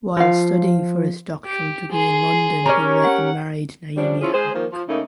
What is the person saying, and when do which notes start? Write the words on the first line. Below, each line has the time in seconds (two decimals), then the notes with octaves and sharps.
While studying for his doctoral degree in London he met and married Naimi Haque.
0.17 F3 F4 F5
1.45 G4
1.91 G#4 C6
2.66 C#4 G4 A#4 C#5
3.02 F#5
3.97 C#3 F3 G3 D4
4.21 F3 C#4 E4 F4 G#4
4.33 G#3 G#4 C5
4.54 D#3 F3 A#3
4.72 F3
4.89 C#3 A3 A#3 D#4